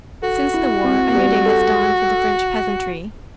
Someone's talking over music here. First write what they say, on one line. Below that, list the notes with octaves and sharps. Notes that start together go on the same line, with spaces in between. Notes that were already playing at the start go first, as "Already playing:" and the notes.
Since the war a new day has dawned for the French peasantry.
F#4 A4
E4
C4
G3
A4